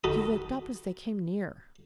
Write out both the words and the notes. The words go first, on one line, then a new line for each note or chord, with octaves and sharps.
He looked up as they came near.
D#3 F#4 A4 B5 D#6